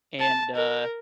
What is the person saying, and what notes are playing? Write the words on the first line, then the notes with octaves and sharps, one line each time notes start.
and, uh,
A5
A#4